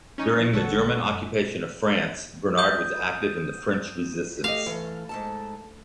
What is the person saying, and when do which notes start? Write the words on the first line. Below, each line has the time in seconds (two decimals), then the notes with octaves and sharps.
During the German occupation of France, Bernard was active in the French resistance.
0.18 C#4 D#4 C#5
0.36 F3 E4 B4
0.53 A1 D3 A4 C#5 F#5 C#6
1.00 F#2
2.58 D#6 G6
4.44 A3 G4 D#5 F5
4.66 E3 A4
5.09 G#2 A4 A5